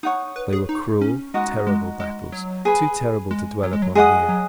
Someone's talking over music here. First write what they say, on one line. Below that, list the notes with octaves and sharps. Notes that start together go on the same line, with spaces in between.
They were cruel, terrible battles, too terrible to dwell upon here.
D#4 C#5 F#5 D#6
B4
G#4
D#4
C#4
G#3 D#4 F#4 D#5 F#5
G#3
G#3
F#3
G#4 B4 G#5 B5
G#3
F#3
G#3
F#3
G#3 G#4 D#5 F#5 D#6
F#3